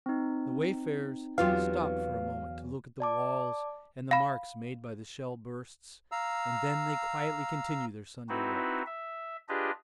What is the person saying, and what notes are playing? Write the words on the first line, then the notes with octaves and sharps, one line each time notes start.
The wayfarers stop for a moment to look at the walls and the marks made by the shell-bursts, and then they quietly continue their Sunday walk.
C4 D#4
E2 F#3 B3 F4 G4 F5
D5 A5 D6
F5 B5
F5 A#5 E6
C4 D#4 E4 F#4 B4
E5
D4 F4 G4 G#4 B4 D#5